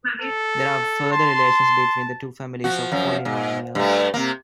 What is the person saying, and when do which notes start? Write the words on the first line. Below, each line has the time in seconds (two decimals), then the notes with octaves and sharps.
There are further relations between the two families of polynomials.
0.22 A4
1.12 A5 C6
2.64 F3 F#4
2.92 F#2 F3
3.25 G#2
3.75 G2 A3
4.14 C3 A#3